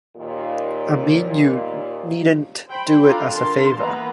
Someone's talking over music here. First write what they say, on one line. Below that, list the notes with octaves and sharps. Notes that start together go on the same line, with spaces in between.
I mean you needn't do it as a favor.
D#2 A#2
C5 G5 B5
D4 F4 A4 F5 A#5
D3 A#4 A5 C6
E3 A#3 B3 B4 A#5